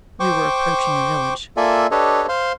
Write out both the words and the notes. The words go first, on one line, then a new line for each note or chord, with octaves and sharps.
We were approaching a village.
C5 G5 C#6 D6
A#3 F4 A4 D5 E5 G#5
D4 G4 A4 B4 C#5 D#5
C5 F5 C6